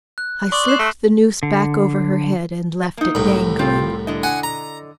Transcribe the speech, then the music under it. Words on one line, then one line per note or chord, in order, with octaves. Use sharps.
I slipped the noose back over her head and left it dangling.
F#6
D5 C6 C#6 D#6
F#6 C7 E7
A3 A#6 F#7
D3
A#3 D#4
C2 A2
C4 F4 G4
D3 E4 D#5
F#5 G#5
A#5